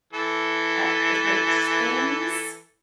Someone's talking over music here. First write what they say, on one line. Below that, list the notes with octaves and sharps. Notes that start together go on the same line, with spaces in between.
at different s things
E3 A4